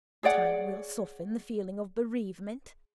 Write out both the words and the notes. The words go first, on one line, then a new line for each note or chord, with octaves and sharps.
Time will soften the feeling of bereavement.
G#4 C#5 D5 F#5